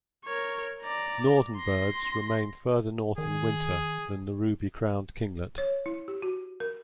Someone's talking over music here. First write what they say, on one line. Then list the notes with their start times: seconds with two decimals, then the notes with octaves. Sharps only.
Northern birds remain further north in winter than the ruby-crowned kinglet.
0.25 A#4 C#5
0.82 D5 A#5
1.57 C6 A#6
3.18 D#3 G#4
5.58 C#5
5.86 E4
6.08 G4
6.22 F#4
6.60 A#4